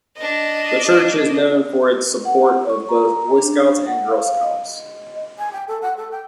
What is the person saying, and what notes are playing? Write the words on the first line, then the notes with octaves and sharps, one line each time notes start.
The church is known for it support of both Boy Scouts and Girls Scouts.
D4 D#5
F#5
C#6
A#5
D4
F#5
F5
F5
D#5
G#5
G5
A4
F#5
A4
G5